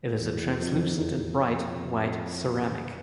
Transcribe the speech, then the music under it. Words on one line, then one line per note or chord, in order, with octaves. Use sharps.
It is a translucent and bright, white ceramic.
E2
F2
E2
F2